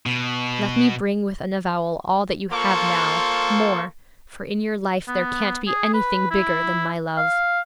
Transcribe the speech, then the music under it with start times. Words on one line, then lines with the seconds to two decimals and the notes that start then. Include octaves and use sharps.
'Let me bring with an avowal all that you have now, more!--for in your life there can't be anything bigger than my love.
0.06 B2
2.52 A#3 F4 A4 C5 C#6
5.08 B3
5.68 G#4
5.94 B4
6.31 E4
7.17 F5